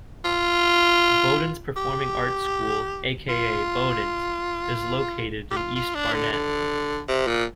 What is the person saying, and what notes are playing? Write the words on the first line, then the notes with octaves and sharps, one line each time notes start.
Bodens Performing Arts School, aka Bodens, is located in East Barnet.
F4
G4
F4
G4
F4
F4
D4
D3
D3
C3
A#2